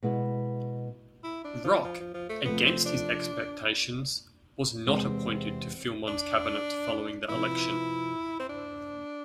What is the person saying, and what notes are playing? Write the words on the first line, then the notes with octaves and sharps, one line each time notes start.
Roch, against his expectations, was not appointed to Filmon's cabinet following the election.
B2 G#3 B3 E4
E4
D4
F3
F3
F3
F3
A3
C3 F3 A3 B3
C4
D4
E2 C3 G#3 C4
D4
C3 F3 B3 E4
C4
D4